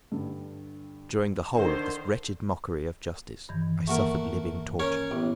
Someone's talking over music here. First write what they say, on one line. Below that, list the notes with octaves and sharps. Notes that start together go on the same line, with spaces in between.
During the whole of this wretched mockery of justice I suffered living torture.
G2 D3 G3
D3 D#3 C5
G2 D#3 E3
A3 A#3 F#4 A#4
C#4 A#4 C#5
A1 B3